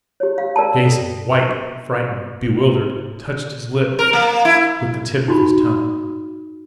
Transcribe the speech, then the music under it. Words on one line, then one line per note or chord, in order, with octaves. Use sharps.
Jason, white, frightened, bewildered, touched his lips with the tip of his tongue.
G4 C#5
F5
A#4 D5 G5 A5
A4
A#4
A#3
E4
D#4 F#4 B5